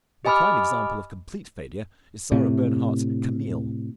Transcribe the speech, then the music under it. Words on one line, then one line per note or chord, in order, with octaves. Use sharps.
The prime example of complete failure is Sarah Bernhardt's Camille.
G4 D#5 G#5 B5 D6 F6
A2 C3